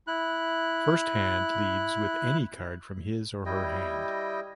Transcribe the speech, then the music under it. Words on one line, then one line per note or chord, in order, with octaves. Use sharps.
First hand leads with any card from his or her hand.
E4 F#6
G3 E4 D#5 G5